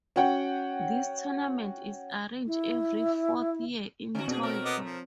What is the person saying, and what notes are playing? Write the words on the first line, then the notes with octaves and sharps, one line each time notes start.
This tournament is arranged every fourth year in Tokyo.
C#4 F#4 F#5 G5
E4
D3 C#4 F#4
B2 C4 D4 G#4
A3 A4 A#4 C#5
B3 D#5 D6
F3